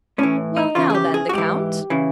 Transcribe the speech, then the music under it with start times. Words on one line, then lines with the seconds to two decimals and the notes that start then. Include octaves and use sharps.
"Well, now then, the count?"
0.18 A2 E3 C#4
0.56 D#4
0.75 E2 C#3 E3 F4
0.90 G#4
0.95 G4
1.14 G#4
1.29 F#4
1.33 G#2 E3 G4
1.90 C#3 E3